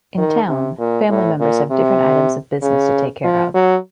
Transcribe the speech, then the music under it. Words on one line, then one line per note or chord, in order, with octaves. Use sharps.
In town, family members have different items of business to take care of.
D#3
C3
A#2
A2
A#2
C3
C#3
F3
F#3